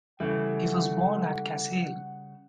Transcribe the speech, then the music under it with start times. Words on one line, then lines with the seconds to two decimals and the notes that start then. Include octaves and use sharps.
He was born at Kassel.
0.20 C#3 E3 G3 A3 F#5